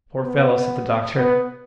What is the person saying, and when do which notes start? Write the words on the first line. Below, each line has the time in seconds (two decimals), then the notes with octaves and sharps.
"Poor fellow!" said the doctor.
0.25 B3
1.17 B3